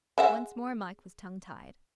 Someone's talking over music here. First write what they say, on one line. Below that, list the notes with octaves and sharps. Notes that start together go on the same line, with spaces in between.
Once more Mike was tongue-tied.
G#3 E5 F#5